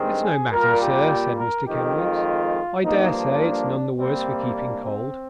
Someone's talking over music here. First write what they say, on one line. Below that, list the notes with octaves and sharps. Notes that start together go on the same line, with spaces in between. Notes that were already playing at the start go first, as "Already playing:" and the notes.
'It's no matter, sir,' said Mr Kenwigs. 'I dare say it's none the worse for keeping cold.
Already playing: G2 D#3 G#3 C4
G#4
A#2 G3 A#3 A#4
G4
A#4
F2 D#3 G#3 G4
F4
G2 F3 A#3 D#4
D4
C3 G3 A#3 C4
D4
C4